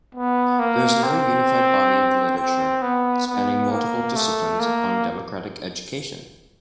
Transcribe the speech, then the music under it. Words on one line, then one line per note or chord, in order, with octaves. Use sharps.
There is no unified body of literature, spanning multiple disciplines, on democratic education.
B3
A#3
C4
C4
B3
B3
A#3
A3
A#3